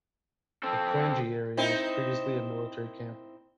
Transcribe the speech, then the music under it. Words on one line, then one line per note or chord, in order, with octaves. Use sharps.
The Kranji area was previously a military camp.
C4 A4
C4 D#4 E4